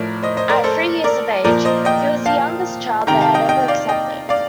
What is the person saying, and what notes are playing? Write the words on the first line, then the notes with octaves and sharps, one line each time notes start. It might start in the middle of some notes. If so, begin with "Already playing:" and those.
At three years of age, he was the youngest child they had ever accepted.
Already playing: A2 F3 A#4 D5
C5 D#5
C5 D#5
A#4 D5
A4 C5
A#4 D5
A#2 F3 A#4 D5
C5 D#5
D#5 G5
F5 A5
C3 D#3 G5 A#5
F5 A5
D#5 G5
D#5 G5
D5 F5
D#5 G5
D5 F5